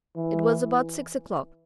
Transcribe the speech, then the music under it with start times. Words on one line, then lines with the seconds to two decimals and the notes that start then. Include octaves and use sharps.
It was about six o'clock.
0.16 E3